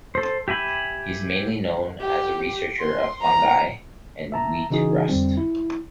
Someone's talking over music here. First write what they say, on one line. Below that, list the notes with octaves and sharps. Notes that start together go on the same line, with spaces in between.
He is mainly known as a researcher of fungi and wheat rust.
A4 C5
G4 E5 G#5 B5
G4
C6
A#5
E5 A5 A#5
C#3 E3 D#4 F#4 G#4
F2 D3 G3 C4
E4